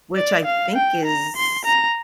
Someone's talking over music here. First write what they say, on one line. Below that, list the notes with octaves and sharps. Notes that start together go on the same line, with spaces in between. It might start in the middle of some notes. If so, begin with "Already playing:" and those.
Which I think is
D5
F5
G5
A#5
C6
A#5